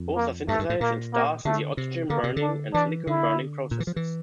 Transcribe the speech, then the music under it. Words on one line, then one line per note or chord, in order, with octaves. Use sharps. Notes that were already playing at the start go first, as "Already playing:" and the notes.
Both are synthesised in stars in the oxygen-burning and silicon-burning processes.
Already playing: F2
A#3
G2 A3
G2
A2
A#2 A#3
A#3
D3 A3
C3
D3 A#3
C3
D3
D4
E3 D4
D3 E4
A#2
E3
F3
E3